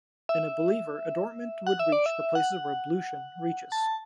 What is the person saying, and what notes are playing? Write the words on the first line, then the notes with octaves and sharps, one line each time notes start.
In a believer adornment would reach the places where ablution reaches.
E5
F#5
E5
D5
E5
F#5
A5